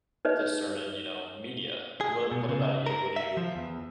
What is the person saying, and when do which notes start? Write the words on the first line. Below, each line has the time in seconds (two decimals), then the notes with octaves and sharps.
this certain, you know, media. What a what about you? What do you
0.25 D#4 B4 C#5 D#5
2.01 G#4
2.32 B2
2.49 C#3
2.86 A#4
3.16 E5
3.37 F3
3.56 E2